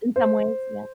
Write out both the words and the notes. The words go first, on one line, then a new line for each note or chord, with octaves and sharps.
In some ways, yeah.
C5